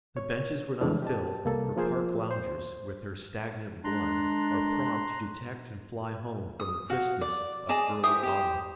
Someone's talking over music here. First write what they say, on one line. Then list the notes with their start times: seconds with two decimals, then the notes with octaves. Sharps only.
The benches were not filled; for park loungers, with their stagnant blood, are prompt to detect and fly home from the crispness of early autumn.
0.17 C#5
0.81 F2 C#3 E3 G#3 A3 D4
1.02 G4 D#5 A5
1.45 C2 A#3 B3 A4
1.76 F3 A#3 F4 G#4 C5
2.31 C5
3.84 D3 G#3 D4 A#5 C6 F#6
6.60 D#6
6.90 F#4 F5
7.21 D5
7.69 G#4 D#5 A5 D6
8.03 E4 G4 C5 D#6
8.23 G4 C5